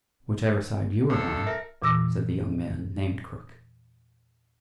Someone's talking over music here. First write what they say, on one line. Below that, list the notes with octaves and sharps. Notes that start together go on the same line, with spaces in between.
"Whichever side you are on," said the young man named Crook.
B1 A4
A#4 E5
E2 A#2 E3 D6 E6 A#6